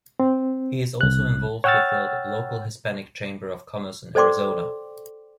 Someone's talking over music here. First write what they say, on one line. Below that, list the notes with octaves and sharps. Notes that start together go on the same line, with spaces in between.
He is also involved with the local Hispanic Chamber of Commerce in Arizona.
C4
C2 F#6
C#5 F#5 G5 E6 F6 A6
A4 C5 D5 G5 C6 D6